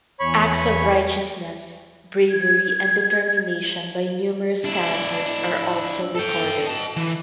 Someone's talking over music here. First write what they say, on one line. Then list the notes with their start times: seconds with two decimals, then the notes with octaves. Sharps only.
Acts of righteousness, bravery and determination by numerous characters are also recorded.
0.20 E2 C#5 G#5 B5 C#6
2.29 G#6
4.64 D4 E4
6.15 A4 G5
6.67 D#5 A5
6.96 E3